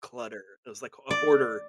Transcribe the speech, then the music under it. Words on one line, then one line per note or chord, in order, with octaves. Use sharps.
clutter. It was, like, a hoarder
D5